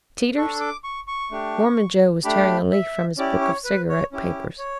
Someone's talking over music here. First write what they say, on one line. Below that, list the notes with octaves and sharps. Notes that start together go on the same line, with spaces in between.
"Teeters?" Mormon Joe was tearing a leaf from his book of cigarette papers.
D4 A4 C#6
D6
C#6
C#6
A3 D4 G4
A3 D4 G4 B5
E5
C#4 E4 G4 D5
C#5
B4
C#5
C#4 E4 G4
C#5